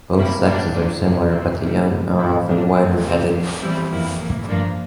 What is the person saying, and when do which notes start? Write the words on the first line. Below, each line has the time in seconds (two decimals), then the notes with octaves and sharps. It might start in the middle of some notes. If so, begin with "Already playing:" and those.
Both sexes are similar, but the young are often whiter-headed.
0.14 C3 G3 A#3 E4
0.44 A#2 G3 A#3 D4
0.72 F2 D3 F3 A#3 D4
1.02 F2 C3 F3
1.30 C3 F3 A3 C4
1.59 E2 C3 G3 A#3 E4
1.88 F2 C3 G3
2.17 A2 E3 A#3 E4
2.46 A#2 G3 A#3 D4
2.75 A#2 A3 C4
3.03 C3 G3 C4
3.32 A#2 F3 A#3
3.61 E2 E3 G3 C4 E4
3.90 F2 E3 A#3 E4
4.18 A2 E3 A#3
4.47 G2 F3 A#3 D4